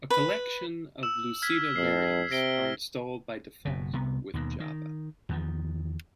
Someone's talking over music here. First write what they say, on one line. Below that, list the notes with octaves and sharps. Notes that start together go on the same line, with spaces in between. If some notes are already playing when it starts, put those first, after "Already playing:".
A collection of Lucida variants are installed by default with Java.
B4
E6 E7
F6 G#6 B6
F2 E6 C7
C3 A#6 D7 G7
F#1 B2
C2 C3 B3
D#2 B2 D#3
D#3
E2 D#3 F3